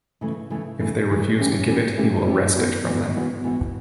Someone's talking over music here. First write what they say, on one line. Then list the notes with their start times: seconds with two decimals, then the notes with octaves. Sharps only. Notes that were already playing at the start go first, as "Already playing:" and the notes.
If they refuse to give it, he will wrest it from them.
0.21 C#3 E3 A3
0.50 C#3 E3 A3
0.80 C#3 E3 A3
1.09 C#3 E3 A3
1.39 E3 A3 C#4 G4
1.68 E3 A3 C#4 G4
1.97 E3 A3 C#4 G4
2.27 E3 A3 C#4 G4
2.55 E3 B3 F#4
2.85 E3 B3 F#4
3.15 E3 B3 F#4
3.44 E3 B3 F#4